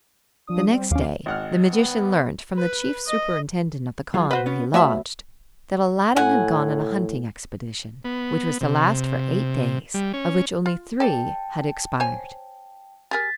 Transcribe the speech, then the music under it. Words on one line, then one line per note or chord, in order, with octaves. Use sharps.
The next day the magician learnt, from the chief superintendent of the khan where he lodged, that Aladdin had gone on a hunting expedition, which was to last for eight days, of which only three had expired.
F3 D4 D#6
G3 C4
D#2 C#4 F5 D6
G#1 F#5 F6
B3
B4
D#5
F#3 F4 G#4
F#4 B4 C5 D#5
B3 C#4
F#3 A3 B3 E5
A2 F#5 G#5
B3
C3
G3
C#4
F4
A4 D5 G5 A5
C5 C#5 G#5
G4 G#4 A#4 A6 B6